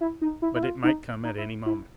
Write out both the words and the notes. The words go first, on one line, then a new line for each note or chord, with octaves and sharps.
But it might come at any moment.
E4
D#4
E4
E4
F4
D#4
D#4
E4
E4